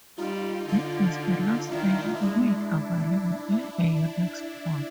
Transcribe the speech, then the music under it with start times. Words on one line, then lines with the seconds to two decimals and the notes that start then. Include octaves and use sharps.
This was the last version made available in a Unix port.
0.18 G3 D#4 F4
0.69 D3 D#4 F4
1.71 D#3 D4 E4
2.22 G#3 D4 E4